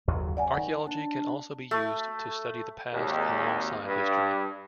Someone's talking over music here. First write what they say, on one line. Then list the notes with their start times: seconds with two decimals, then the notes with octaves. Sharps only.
Archaeology can also be used to study the past alongside history.
0.08 F#1 D#2 F#3
0.37 C#3 D5 F#5 G#5
0.57 D#3
0.87 D4
1.71 A3
2.93 G#1 D#2
3.85 G2